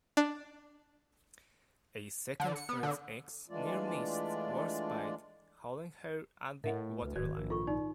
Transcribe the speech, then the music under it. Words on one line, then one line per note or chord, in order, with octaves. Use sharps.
A second Fritz X near-missed "Warspite", holing her at the waterline.
D4
D3
C#7
B3
D3
E3 G#3 A3 D4 F4 D5
A2 A#4 D#5 E5 F#5
D2 B4
D1 G#2 D#3 F#4 D5
A#1 A#4
F4 A4 C#6
D#4 D5